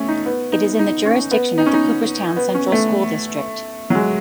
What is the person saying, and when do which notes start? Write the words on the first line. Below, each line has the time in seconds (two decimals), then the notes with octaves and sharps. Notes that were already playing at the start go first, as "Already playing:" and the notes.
It is in the jurisdiction of the Cooperstown Central School District.
Already playing: A3 C#4
0.08 D#4
0.26 B3
0.52 D#4
0.79 D#4
1.06 C#4
1.31 B3
1.58 D#4
1.66 C#4
1.74 D#4
2.36 B3
2.54 C#4
2.72 A3
3.90 F#3
3.95 G#3